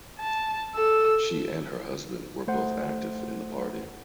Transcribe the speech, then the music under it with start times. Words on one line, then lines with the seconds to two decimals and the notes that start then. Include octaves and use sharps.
She and her husband were both active in the party.
0.19 A5
0.75 A4 E6
2.48 A3 C5 F#5